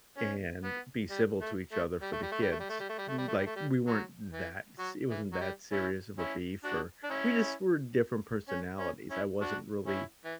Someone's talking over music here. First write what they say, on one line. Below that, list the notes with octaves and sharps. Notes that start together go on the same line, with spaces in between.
and be civil to each other for the kids." Mm like, we weren't that s it wasn't that serious of a beef or we just were different personalities. I wasn't really
C#4
B3
G3
A3
A3
G3
A3
G3
A3
G3
A3
G3
A3
G3
A3
G3
A3
G3
A3
G3
A3
G3
F#3
E3
F#3
E3
F#3
G3
C#4 E4
C#4 E4
D4 F#4
D4
C#4 E4
C#4
C#4
C#4 E4
D4 F#4
C#4 E4
E3